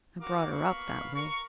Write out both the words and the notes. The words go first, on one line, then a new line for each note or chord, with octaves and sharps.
I brought her up that way.
F#4 A#4 F5 D6
A#3 B3 F5 B5 C#6
A#4 C#6